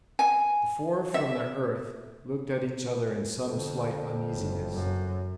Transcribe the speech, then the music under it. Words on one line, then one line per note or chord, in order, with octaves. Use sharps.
The four from the earth looked at each other in some slight uneasiness.
G#5
E5
F2 D3
F#1
F#2